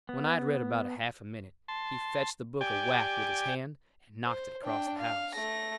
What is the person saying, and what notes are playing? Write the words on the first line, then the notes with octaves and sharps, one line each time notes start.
When I'd read about a half a minute, he fetched the book a whack with his hand and knocked it across the house.
B3
A5 C6
G4 D5 G5 G#5
C5
D4 G5
F5
A3 A#6